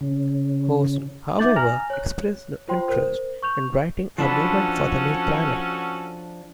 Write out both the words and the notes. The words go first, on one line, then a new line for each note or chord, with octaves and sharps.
Holst, however, expressed no interest in writing a movement for the new planet.
C#3
D#4 E5 D6 G6 A6 F#7
G#5 A#5 F6 A#6 F7
C#5 F#6
F4 C5 G5 C6
A#4 C5
C#6 G6 F7
F3 C#4 D4 F#4 A4 B5